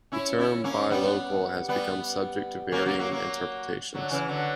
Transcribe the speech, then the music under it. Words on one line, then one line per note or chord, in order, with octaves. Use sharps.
The term "Buy Local" has become subject to varying interpretations.
C#4 E4
C#4 E4
A#3 C#4
G3 B3
G3 B3
A#3 C#4
F#3 A#3
F#3 A#3
F#3 A#3
D3 F#3
C#3 E3
D3 F#3